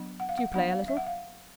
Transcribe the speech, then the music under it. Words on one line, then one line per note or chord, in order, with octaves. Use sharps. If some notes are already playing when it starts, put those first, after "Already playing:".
"Do you play a little?"
Already playing: F#3 B3 D4
F#5
F5
F#5
F#3 B3 D4 F#5
F5
E5
F#5
F5